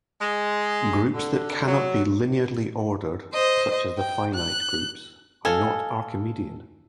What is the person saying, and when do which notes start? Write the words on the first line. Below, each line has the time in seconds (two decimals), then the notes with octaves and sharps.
Groups that cannot be linearly ordered, such as the finite groups, are not Archimedean.
0.21 G#3
1.13 D3
1.67 F#3
3.34 C5 D#5
3.98 G5
4.35 F#6
5.45 A4 D#5 F5 G#5